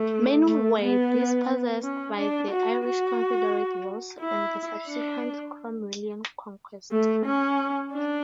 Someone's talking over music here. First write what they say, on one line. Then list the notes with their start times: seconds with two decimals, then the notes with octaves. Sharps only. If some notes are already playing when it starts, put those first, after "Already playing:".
Many were dispossessed by the Irish Confederate Wars and the subsequent Cromwellian conquest.
Already playing: A3
0.47 A3
0.81 B3
1.84 C#4
2.17 D4
2.51 F#4
2.84 F#4
4.20 E4
4.88 D4
6.92 A3
7.26 C#4
7.93 D4